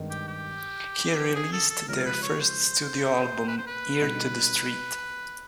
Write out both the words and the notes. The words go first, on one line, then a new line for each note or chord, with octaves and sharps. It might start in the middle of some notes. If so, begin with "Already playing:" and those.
He released their first studio album, "Ear to the Street".
Already playing: G2 D#3 G#3 C4
G4
G4
G#4
A4
A4
C#3 F3 G#3 C#4 A#4
B4
C#5
C5
B4
C5
B4
B2 G3 C4 D#4